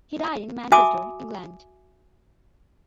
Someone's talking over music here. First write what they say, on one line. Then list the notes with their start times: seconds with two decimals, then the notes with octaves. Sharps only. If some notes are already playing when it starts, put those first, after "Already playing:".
He died in Manchester, England.
0.72 F#4 E5 G#5 A5 D6 D#6